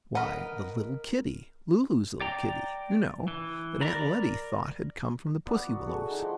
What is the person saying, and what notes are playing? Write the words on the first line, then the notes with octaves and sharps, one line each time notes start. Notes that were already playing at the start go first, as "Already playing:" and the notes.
Why the little kittie; Lulu's little kittie, you know, that Aunt Lettie thought had come from the pussy-willows.
A#4 B4 D#5 F#5
D5 G5 A#5
E3
A#4 D5 A#5 B5
B3 D5 B5 D6
F#4 A#4
F#4 G#4 A4
G#3 D#4 E4 G5
F3 F#5 C6